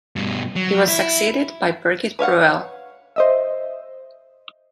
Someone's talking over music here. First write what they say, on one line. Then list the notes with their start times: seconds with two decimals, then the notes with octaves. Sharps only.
He was succeeded by Birgit Breuel.
0.16 G2 B2
0.56 F#3
0.88 E4
2.19 B4 C#5 F5 F#5
3.16 C5 D#5 E5